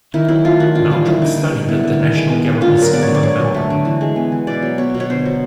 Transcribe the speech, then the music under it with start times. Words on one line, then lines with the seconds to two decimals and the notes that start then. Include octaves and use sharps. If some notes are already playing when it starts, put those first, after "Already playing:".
Meldrum studied at the National Gallery School in Melbourne.
0.14 D#3 E4
0.28 F#3 E4
0.45 A3 F4
0.60 D#3 F#4
0.75 D3 F4
0.90 G3 F4
1.06 A#3 E4
1.22 D3 D#4
1.37 D3 D#4
1.52 G3
1.68 B3 E4
1.83 D3
1.99 D#3
2.15 G#3
2.30 B3
2.46 D#3
2.61 D3 F4
2.77 F#3 A#4
2.93 B3 D5
3.03 D3 C#5
3.15 D5
3.23 D3 C#5
3.39 F#3
3.54 A3
3.70 D3
3.85 E3
4.01 G#3
4.16 B3
4.32 E3
4.47 B2 D5
4.62 F#3
4.78 B3 C#5
4.94 B2
5.00 C#5
5.10 D3 C5
5.25 F#3